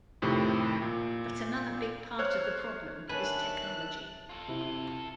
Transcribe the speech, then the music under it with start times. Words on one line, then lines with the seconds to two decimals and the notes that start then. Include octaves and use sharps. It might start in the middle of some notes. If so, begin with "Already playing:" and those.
But another big part of the problem is technology.
0.22 F2 A2 C3 D#3
0.82 A#2
2.19 C5 C#5 F6 F#6 G#6
3.09 D#3 D4 B4 C#5 E5 G#5 A5 F#6
4.29 F4 A4
4.48 C3 E4